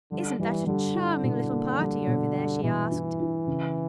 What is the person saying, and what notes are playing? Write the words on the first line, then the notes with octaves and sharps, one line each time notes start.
"Isn't that a charming little party over there?" she asked.
D3 G3
E3 G3
D3 G3
E4
B2
A#3
G3
B2
G3
B2 E3
E4
E4
C#3